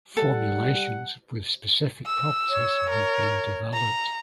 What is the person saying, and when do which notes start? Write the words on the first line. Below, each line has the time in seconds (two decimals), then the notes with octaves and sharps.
Formulations with specific properties have been developed.
0.17 G3 A4 F#5
2.06 E6
2.49 C#5
2.90 A#4
3.73 A#5